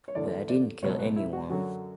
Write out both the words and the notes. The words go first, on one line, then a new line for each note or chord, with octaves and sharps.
But I didn’t kill anyone.
C#5
E2 D3 A3 D5
D5
C#2 B2 F#3 C#5
B4
E4
F#4
F#2 D3 F#3 F#4